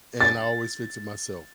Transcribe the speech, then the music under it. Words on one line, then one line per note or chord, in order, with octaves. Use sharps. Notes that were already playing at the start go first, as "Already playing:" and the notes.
and I always fix it myself.
A6